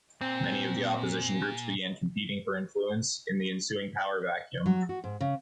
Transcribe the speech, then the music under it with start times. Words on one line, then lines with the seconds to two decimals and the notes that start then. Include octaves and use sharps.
Many of the opposition groups began competing for influence in the ensuing power vacuum.
0.21 A#2 C4
4.66 F#3
4.89 F#4
5.04 G#2
5.21 C#3